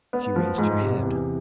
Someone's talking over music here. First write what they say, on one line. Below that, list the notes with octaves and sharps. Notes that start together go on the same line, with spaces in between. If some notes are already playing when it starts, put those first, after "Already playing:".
She raised her head.
B3
F3
G#2
C3
E2